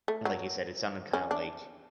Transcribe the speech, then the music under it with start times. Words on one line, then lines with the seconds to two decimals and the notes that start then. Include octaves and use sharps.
and like you said, it sounded kinda like
0.08 A3
0.25 F#3
1.13 C#4
1.31 D4